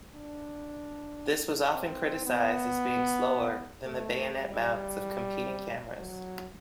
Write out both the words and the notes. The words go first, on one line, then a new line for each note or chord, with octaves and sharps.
This was often criticized as being slower than the bayonet mounts of competing cameras.
D4
C4
B3
A3
G3
F#3